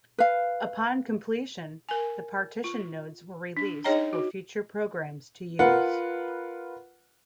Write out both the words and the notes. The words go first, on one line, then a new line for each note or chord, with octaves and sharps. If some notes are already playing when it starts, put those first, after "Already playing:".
Upon completion, the partition nodes were released for future programs to use.
B4 F5
A#4 G#5
F4
D4
D#4 G#4 C#5 D#5 G5 A#5
F#4
F4 A#4 B4 F#5